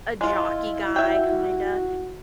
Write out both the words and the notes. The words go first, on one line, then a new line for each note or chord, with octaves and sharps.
a jockey guy kinda,
G#3 E4 F4
F#4 E5 G5